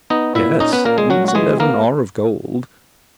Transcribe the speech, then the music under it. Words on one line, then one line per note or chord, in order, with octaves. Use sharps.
Yes, these eleven are of gold.
B3 D#4 D#5
A#2 E4 E5
C#4 D#4 D#5
B3 B4
A#2 A#3 A#4
G#3 G#4
F#3 C#4 F#4
F#4
E3 G#3 G#4
A#3 B3 A#4